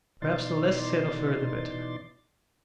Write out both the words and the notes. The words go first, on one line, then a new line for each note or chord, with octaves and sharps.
Perhaps the less said of her the better.
B2 E3 D#4 D5 C6 A6